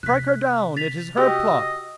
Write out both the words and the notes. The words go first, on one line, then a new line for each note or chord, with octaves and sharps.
Strike her down; it is her plot.
C3 F#6 B6
A6 B6 F7
F#4 G4 D#5 E6